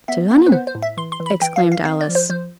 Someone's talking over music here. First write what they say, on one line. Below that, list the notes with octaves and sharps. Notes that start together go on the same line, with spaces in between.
'To Lunnon!' exclaimed Alice.
B3 E5
B3
B4
B3 C5
C5
A2
E5
E3 C6
C6
E3
B5
E3 G5
F5
E3
F5
C4 F5
D5
F3
C5
F3 C5